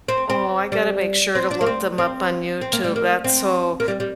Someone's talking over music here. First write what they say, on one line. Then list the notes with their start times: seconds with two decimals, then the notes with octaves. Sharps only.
Oh, I gotta make sure to look them up on YouTube, that's so
0.08 C4
0.30 C4
0.72 G3
1.35 C4
1.51 D4
1.61 A#3
1.66 C4
1.98 C4
2.61 C4
2.73 A#3
2.84 G3
2.96 A#3
3.24 C4
3.80 A#3
3.88 G3
4.00 G3